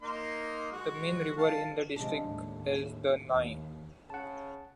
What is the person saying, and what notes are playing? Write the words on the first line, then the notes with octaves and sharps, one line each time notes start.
The main river in the district is the Nahe.
A#3 D#4 C6
G#3 F#4
F5 A5
C3 F3 G#3 D4
D#2 A2
D#2
C#3 F#5 A5